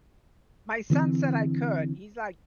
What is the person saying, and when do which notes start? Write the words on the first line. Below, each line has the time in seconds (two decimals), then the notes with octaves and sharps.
my son said I could, he's like,
0.90 D3 E3 B3 C4